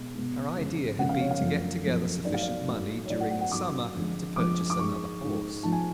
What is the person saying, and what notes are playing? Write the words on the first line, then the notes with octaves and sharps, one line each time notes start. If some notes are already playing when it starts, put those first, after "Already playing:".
Her idea had been to get together sufficient money during the summer to purchase another horse.
Already playing: B2 G#3
B2 G#3
F2 C#3 G#3
F2 C#3 G#3 F#5
F5
C#5
F5
F#2 F3 A3
F#2 F3 A3
G#2 F#3 A3 D5
F5
D5
G#2 F#3 A3
C#5
G#2 F#3 A3 D5
F#5
F#5
F#5
G#2 F#3 A3 D6
F2 D3 F3 G#3
F2 D3 F3 G#3 D6
D6
G#2 G#3 C#6
G#2 G#3
G#2 F3 G#3 A5
G#5